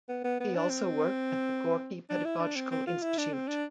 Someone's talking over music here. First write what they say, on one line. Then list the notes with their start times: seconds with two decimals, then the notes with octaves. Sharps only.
He also worked at the Gorky Pedagogical Institute.
0.09 B3
0.24 B3
0.40 B3
0.55 D4
0.70 C4
2.10 D4
2.25 E4
2.40 D4
2.56 C4
2.71 C4
2.87 F4
3.02 E4
3.18 D4
3.33 C4
3.48 D4